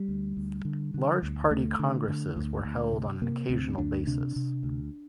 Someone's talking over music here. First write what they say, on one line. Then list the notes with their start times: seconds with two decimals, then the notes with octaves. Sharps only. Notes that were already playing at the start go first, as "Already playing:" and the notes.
Large Party Congresses were held on an occasional basis.
Already playing: G3
0.08 D2
0.37 D2
0.65 D3
0.94 D3
1.23 D2
1.50 D2 A3
1.79 D3
2.08 D3
2.36 D2
2.65 D2
2.93 C3
3.22 C3 A#3
3.49 D2 C4
3.78 D2 D4
4.07 C3 D4
4.36 C3
4.63 D2